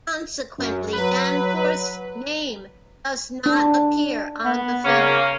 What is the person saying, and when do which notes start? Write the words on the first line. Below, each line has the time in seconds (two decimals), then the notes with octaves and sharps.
Consequently, Danforth's name does not appear on the film.
0.58 F#2
0.93 F#3 B4
3.46 D4
4.45 B3
4.85 C#3 A#3 C#4